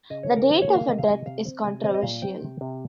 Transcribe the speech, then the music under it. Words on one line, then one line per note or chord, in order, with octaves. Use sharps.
The date of her death is controversial.
C#3 D#5
C#5
C#3
A#4
D#3 C5
C#5
A#3
F5
C3 D#5
F5
C3 D#5
C3 F5
C4
C3 G#5
C4 D#5
D#5
A#2 F5
C4 G5
C3
C3